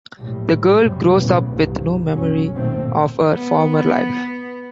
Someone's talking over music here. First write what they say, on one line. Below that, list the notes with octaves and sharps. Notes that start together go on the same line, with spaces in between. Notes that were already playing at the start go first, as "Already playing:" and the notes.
The girl grows up with no memory of her former life.
A#1 A2 G3
A#1 F#2 C3 G3
B1 E2 A2 C#3 B3
C2 G2 B2
F#1 B1 F2 F#3 C#4
G#1 A#2 D#3 A3 C4
B3